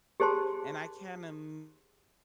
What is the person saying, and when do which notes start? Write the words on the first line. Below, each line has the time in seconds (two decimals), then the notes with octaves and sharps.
and I can't im
0.20 G4 G#4 C5 A5 C6